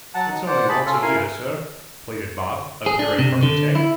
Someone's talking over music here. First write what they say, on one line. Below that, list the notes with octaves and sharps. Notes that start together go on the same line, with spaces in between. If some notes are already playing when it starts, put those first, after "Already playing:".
'It's only once a year, sir,' pleaded Bob, appearing from the tank.
F#3 F#5 A5
D#4
C5 D5 F#5
G#4 A5 B5
C#4 F4 A4
E4 A#4 F5 G#5
G#4
D4
C3
D3
E4